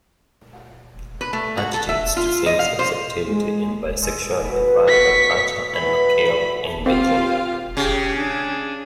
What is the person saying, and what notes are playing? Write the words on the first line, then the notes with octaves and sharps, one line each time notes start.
Attitudes to same-sex activity and bisexuality vary by culture and locale, and by gender.
B4
A3
F#4
A4
E5
F4
D#5
F5
C5
G#3
G#3 A4 D#5
B2 B5
A3 B3 A4 C#6 B6
E3 F#3 B5
C4 F4 G4 F5
C#3 G4
D4 G#5